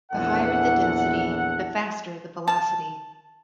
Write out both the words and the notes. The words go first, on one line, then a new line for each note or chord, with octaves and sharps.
The higher the density, the faster the velocity.
A#1 E2 E3 A4 F#5
A5